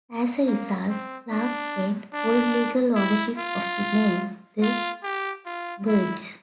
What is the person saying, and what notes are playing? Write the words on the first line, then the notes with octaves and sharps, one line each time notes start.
As a result, Clarke gained full legal ownership of the name the Byrds.
A#3
C4
D4
D4
E4
F4
F4
G4
F4
E4